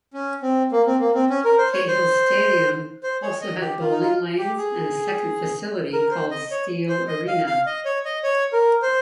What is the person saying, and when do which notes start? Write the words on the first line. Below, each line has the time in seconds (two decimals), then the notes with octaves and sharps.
Cahill Stadium also had bowling lanes and a second facility called Steele Arena.
0.13 C#4
0.42 C4
0.72 A#3
0.86 C4
1.00 A#3
1.15 C4
1.30 C#4
1.45 A#4
1.58 C5
1.73 C#5
1.88 C5
3.03 C5
3.23 C#5
3.41 D#5
3.61 G4
3.80 F4
3.91 D#4
4.00 F4
4.38 G4
4.58 G#4
5.93 A#4
6.11 C5
6.31 D#5
6.51 C#5
6.89 C5
7.08 D#5
7.27 F5
7.47 F5
7.66 D#5
7.85 C#5
8.05 D#5
8.23 C#5
8.53 A#4
8.82 C5